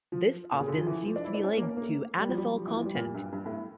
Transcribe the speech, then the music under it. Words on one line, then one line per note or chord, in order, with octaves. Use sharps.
This often seems to be linked to anethol content.
F3
A#2
C#3
D3
F3
E3
F3
D4
E4
D4
C#4
A#3
C#4
A#3
A3
G3
F3
G3
F3
E3
F3
G3
A#2
G2
G2
A2